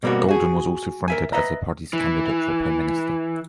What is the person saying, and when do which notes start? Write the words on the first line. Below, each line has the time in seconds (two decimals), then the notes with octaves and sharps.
Golden was also fronted as the party's candidate for Prime Minister.
0.03 B2 G3 A#3 C4 F#4
0.29 F#4 G#4
1.08 A#4 E5 G#5
1.33 B4 D#5 E5 A#5
1.93 E3